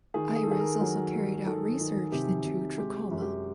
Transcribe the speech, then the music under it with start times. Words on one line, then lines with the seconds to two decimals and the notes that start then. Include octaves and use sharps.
Ayres also carried out research into trachoma.
0.14 D#3 G#4
0.36 G#4
0.43 A4
0.47 D#3 G#4
0.59 A#4
0.81 F#3
1.14 D#3
1.46 D#3 A4
1.80 D#3
2.12 C3 G4
2.45 C3
2.78 G#3 G4
3.00 F#4
3.11 F#2
3.22 G4